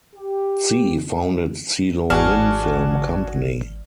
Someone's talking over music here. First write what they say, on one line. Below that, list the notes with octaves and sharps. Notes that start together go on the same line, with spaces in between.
Tsi founded Tsi Lo Lin Film Company.
G4
G#1 E3 D4 F#4 G#4 F6